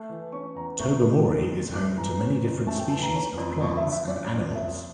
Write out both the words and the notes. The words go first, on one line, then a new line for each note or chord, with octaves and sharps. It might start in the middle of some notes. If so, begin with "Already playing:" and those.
Tobermory is home to many different species of plants and animals.
Already playing: A3
E3
C#4 C#6
E2 A#5
A3 C#6
E3
C#4
F2
A3 D6
E3 A#5
C#4
F2
A3 A5
G5
E3 A5
A#5
C#4
F2
F3 C#6
E5
D3
E5
C#4 D5
C#5
F2
D5
F3 E5